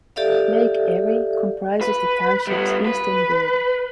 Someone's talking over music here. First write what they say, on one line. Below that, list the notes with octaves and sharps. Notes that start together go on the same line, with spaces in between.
Lake Erie comprises the township's eastern border.
G4 A4 D5 E5 F5
B4
G3 B3
B4